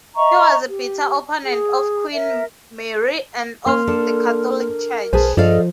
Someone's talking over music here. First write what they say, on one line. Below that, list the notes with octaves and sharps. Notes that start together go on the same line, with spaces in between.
He was a bitter opponent of Queen Mary and of the Catholic Church.
D#5 E5 A#5 C#6
G4
G#4
A#4 E5
A#3 C#4 A#4 C6 F6
D4 A4
B1 G#4 B4 C5 G#5 A5
G2 F3 A4 D5 D#5 F5